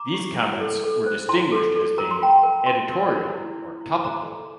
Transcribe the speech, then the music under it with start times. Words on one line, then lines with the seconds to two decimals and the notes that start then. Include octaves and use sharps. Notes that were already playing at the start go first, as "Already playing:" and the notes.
These comments were distinguished as being "editorial" or "topical".
Already playing: A#5 D6
0.14 G4
0.37 E4
0.60 A4
0.84 A4
1.06 C5
1.29 E4 A5 C6
1.51 A4
1.75 A4
1.98 A#4 A#5
2.11 C6
2.21 F4 G5 A#5
2.43 A#4
2.66 F4 A5 C6
2.90 A#4
3.12 A#4
3.35 E4
3.58 E4
3.81 E4
4.04 C5 A#5 D6
4.28 A4